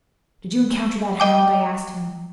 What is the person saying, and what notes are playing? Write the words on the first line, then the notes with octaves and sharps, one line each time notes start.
'Did you encounter that hound?' I asked him.
D#5 G5 D6